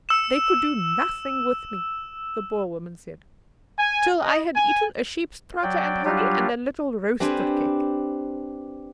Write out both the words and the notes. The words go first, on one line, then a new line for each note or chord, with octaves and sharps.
They could do nothing with me," the Boer-woman said, "till I had eaten a sheep's trotter, and honey, and a little roaster-cake.
E6 E7
G#5
D#5
G#5
F#3 D5 G5
F#3 G3 D4 F4 G4
C4 D4 G4 B4 G#5